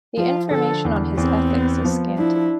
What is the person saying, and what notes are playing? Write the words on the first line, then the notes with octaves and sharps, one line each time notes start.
The information on his Ethics is scanty.
F3 F4
D3 A4
E2
E2 C4
B3
F3
D4 E4